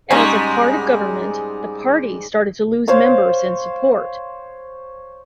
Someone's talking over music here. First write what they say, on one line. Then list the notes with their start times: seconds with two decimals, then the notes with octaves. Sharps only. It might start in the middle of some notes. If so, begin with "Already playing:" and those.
As a part of government, the party started to lose members and support.
0.11 G#2 G3 G#3 C#4 D#4 C#5
2.88 C5 C#5 F5 C6